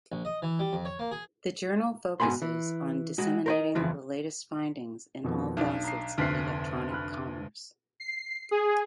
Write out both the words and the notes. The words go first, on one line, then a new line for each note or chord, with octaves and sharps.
The journal focuses on disseminating the latest findings in all facets of electronic commerce.
A#1
D#5
E3
G3
F2
C#5
A#3
G#4
G#2 B2 B3 G#5 B5 C6
E3
G#3 F#4
A#4 C5 D#5
F2 C#3 E3 F3
F2 B2 D#3
B1 D4
A#5 C7
F1 D2 F6 F#6 B6 C7
B5 F6 F#6
C7
G#4